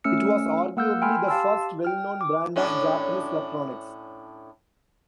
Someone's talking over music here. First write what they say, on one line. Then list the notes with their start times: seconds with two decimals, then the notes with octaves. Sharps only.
It was arguably the first well-known brand of Japanese electronics.
0.04 A3 C#4 E6 F6 C#7
0.77 A#3 F#5 E6 F6 G6
1.02 G5 G#5 B5 C6 F6
1.28 G4 F5 A5 C6 E6
1.85 G5 F6
2.21 D6
2.56 A2 C#4 D4